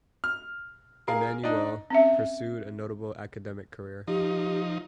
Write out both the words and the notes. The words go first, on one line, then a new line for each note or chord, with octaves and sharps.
Emmanuel pursued a notable academic career.
F6
G#4 A#4 F5
D4 D#4
C4 C#4 E5
F3 D#4 G4